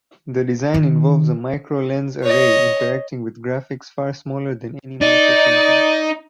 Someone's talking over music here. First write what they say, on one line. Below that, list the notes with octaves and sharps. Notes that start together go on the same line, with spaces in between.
The design involves a micro-lens array interacting with graphics far smaller than any microprinting.
D#3
C#5 D#5
D#4 D5